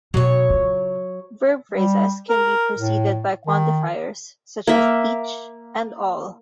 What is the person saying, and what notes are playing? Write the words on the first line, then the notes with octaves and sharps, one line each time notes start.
Verb phrases can be preceded by quantifiers such as "each", and "all".
B2 F#3 C#5
C#3 F4
G3
A#4
A2
D#3
A#3 E5